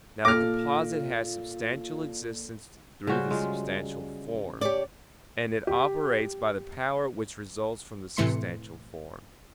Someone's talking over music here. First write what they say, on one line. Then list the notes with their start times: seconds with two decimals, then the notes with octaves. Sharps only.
Now the composite has substantial existence through the substantial form; and it operates by the power which results from the substantial form.
0.25 A#2 F4 A4 F5 D6 F6 A#6
3.07 C#3 G3 F#4 C5
3.30 F#3 G#3 F4
4.61 G4 C#5 D5
5.67 G4
8.17 A2 C3 E3 A3 C6 C#7